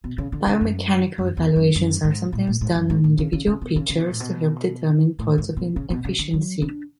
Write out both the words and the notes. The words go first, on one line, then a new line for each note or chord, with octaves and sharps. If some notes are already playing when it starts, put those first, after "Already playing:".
Biomechanical evaluations are sometimes done on individual pitchers to help determine points of inefficiency.
B2
C#3
D3
C#3
F#2
F#2
E2
F#2
F#2
G#2
A2
A2
G#2
F#2
G#2
A2
C#3
C#3
C#3
B2
C#3
C#3
B2
A2
B2
A2
G#2
B2
C#3
B2
C#3
D3
F#3
D4